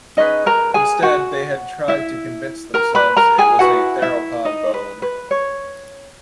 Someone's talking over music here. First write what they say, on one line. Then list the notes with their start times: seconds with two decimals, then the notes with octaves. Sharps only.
Instead they had tried to convince themselves it was a theropod bone.
0.17 C#4 D#4 G#4 B4 D#5
0.46 A#4 A#5
0.74 G#4 G#5
1.02 F#4 F#5
1.88 E4 E5
2.74 A#4 A#5
2.95 B4 B5
3.17 A#4 A#5
3.38 G#4 G#5
3.59 E4 F#4 B4 F#5
4.02 E4 E5
4.45 D#4 D#5
4.74 B4
5.02 B4
5.31 C#5